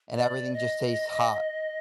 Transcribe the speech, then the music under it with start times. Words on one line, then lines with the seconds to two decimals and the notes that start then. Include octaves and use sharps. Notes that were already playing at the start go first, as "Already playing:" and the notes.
and everything just tastes hot.
0.14 D5
0.53 D#5